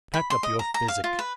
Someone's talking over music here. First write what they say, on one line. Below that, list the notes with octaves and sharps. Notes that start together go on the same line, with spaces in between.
Pack up your physic.
B5
C6
D#5
A#5
A#5
F5
F4
B4